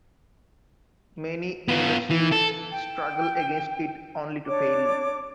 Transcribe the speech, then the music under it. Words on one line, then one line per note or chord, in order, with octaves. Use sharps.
Many in the series struggle against it, only to fail.
B3 F4
E3
A4
G5
D4 C#5 D6